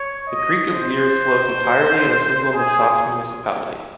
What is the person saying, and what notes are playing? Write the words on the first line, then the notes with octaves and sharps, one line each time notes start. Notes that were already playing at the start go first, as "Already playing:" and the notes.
The creek of Liers flows entirely in a single Massat municipality.
Already playing: C#5
D#5
C5
G#4